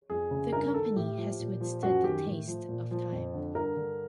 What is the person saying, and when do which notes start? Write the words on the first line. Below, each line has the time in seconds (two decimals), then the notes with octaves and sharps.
The company has withstood the taste of time.
0.10 F2 G#4
0.31 C#3
0.53 G2 A#4
0.74 D#3 A4
0.96 A2 G4
1.18 F3
1.40 A#2
1.61 F3
1.82 F#2 F#4
2.04 D#3 G4
2.26 A2
2.48 F3
2.69 A#2
2.91 F3
3.12 F2
3.34 D3
3.55 G2 A#4
3.76 D3